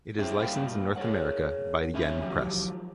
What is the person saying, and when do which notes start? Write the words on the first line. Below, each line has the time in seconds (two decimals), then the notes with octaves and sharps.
It is licensed in North America by Yen Press.
0.18 C#4 E4 G#4 C5 G5
0.40 G2 A#3 C5 F5 G5 B5
0.96 G#4 A#4 C#5 F#5
1.94 C#4 C#5 E5 G#5 B5
2.21 D#3 F3 F#3 G4